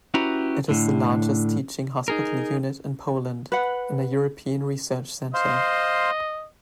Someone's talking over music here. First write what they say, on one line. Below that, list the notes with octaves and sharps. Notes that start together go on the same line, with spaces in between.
It is the largest teaching hospital unit in Poland and a European research center.
C#4 E4 F#4 G4 B4 A#5
A2 D3
D#4 G#4 A#4
B4 F#5
C5 D#5 F5 C6